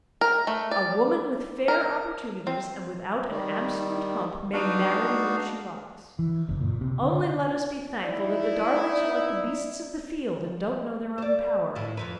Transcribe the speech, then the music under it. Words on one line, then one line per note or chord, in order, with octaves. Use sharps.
A woman with fair opportunities, and without an absolute hump, may marry WHOM SHE LIKES. Only let us be thankful that the darlings are like the beasts of the field, and don't know their own power.
A#4
A3
D5
A#4
C4
D#3 G3
B3 D4 D#4 F#4 F5
E3
F#1
A#2
C3
D3
D#4 E4 D5
C5 D5
A2 E4 F4
F2 F3 B4